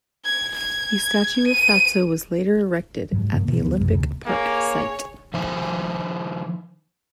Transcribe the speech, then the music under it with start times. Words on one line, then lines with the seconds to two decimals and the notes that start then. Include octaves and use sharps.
A statue of Fatso was later erected at the Olympic Park site.
0.25 G#6
0.56 G#6
1.48 D#7
3.12 G#2 F#3
3.33 G2 C#3 A#3
3.47 E2 B2 D#3 E3
3.62 D2 F3 B3
3.78 A#1 F#2 C3 E3
3.93 D2 C3
4.26 A#3 G#4 C#5
5.34 D#3 F3 D#4 C5 E5 G#5